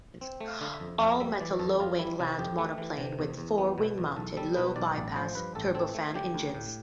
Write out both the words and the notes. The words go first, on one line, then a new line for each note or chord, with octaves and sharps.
All-metal low-wing land monoplane with four wing-mounted low-bypass turbofan engines.
C4
A3
F5
D3 F5
E5
F2
F2 F5
G3 E5
E3 D5
F2 A4
F2 F4
G3 E4
C3 E4
F2 G4
A3
E3
C3
E2
E2
B3
B2
E2
B1 A4
G3 A4
B2 B4
B1 D5
A1 D5
F3 C5
G2 B4
A1 A4
C4 A4
A3
D3 G4
D2
A2